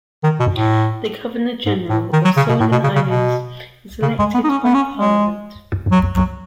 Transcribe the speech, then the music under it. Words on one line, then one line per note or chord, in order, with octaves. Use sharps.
The Governor-General of Solomon Islands is elected by parliament.
D#3
B2
A2
G#2
A2
D#3
F#3
C#3
B2
A2
B2
C#3
C#3
B2
C#3
G#3
B3
D#4
C#4
B3
C#4
G#3
F#3
F#3